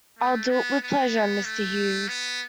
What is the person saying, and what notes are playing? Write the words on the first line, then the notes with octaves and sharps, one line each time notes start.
I'll do it with pleasure, Mr. Hughes.
A3
B3
B3
A3
B3